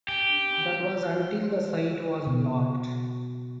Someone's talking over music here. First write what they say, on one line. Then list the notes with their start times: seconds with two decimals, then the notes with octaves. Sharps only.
That was until the site was blocked.
0.08 G4
2.27 B2